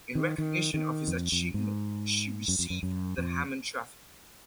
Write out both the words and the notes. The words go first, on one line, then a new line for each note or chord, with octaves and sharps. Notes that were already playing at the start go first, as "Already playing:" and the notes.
In recognition of this achievement, she received the Harmon Trophy.
D#3
D#3
D#3
F2
F2
G#2
F#2
F2
F#2
F#2
F2